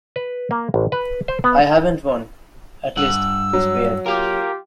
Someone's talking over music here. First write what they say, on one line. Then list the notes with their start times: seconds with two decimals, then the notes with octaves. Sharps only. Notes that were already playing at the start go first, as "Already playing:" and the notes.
I haven't one — at least to spare.
0.16 B4
0.51 A#3
0.74 A1
0.92 B4
1.28 C5
1.44 B3
2.97 G2 F#5 E6
3.53 F#3
4.06 F4 G4 A#4 F5